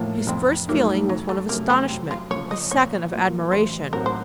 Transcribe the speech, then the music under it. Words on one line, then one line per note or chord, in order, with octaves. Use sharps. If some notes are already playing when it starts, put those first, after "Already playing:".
His first feeling was one of astonishment, his second of admiration.
Already playing: A2 F3 A#3
F2 C4
D#3 F#3 A3 A#3
F2 F#3
A3
C3 F#3 A3 A#3 C#4
C4
F#2
F4
C#3 F3 C#5
D#5
A#2 C#5
F#3 A#3 F4
A1 C5
A2 F#3 C4 F#4 A#4
C5